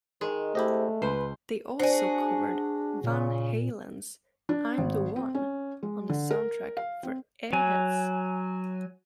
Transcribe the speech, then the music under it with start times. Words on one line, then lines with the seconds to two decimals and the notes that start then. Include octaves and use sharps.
They also covered Van Halen's "I'm the One" on the soundtrack for "Airheads".
0.21 D#3 G#3
0.55 C3 A3 E4 G4 D#5
1.02 C#2 B4 C5
1.80 D4 F#4 G#4 C5 D5
3.04 A#2 C#3
4.49 D4
4.78 G#1
5.16 C4
5.35 C#4
5.83 G#3
6.09 D3
6.31 A#4
6.77 F5
7.03 C4
7.53 F#3 G#5